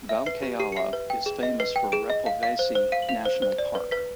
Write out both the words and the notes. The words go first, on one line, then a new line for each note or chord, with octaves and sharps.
Valkeala is famous for Repovesi National Park.
E5
B4 C7
G4
G4 C7
C#7
E5 C7
B4
G5
G#4
D#5
B4 C7
G5
G#4 D7
D#5
F5
F5
C5
C5
F5 D#7
F#7
F5 F7
C5
C5
D5
B4
B4 B6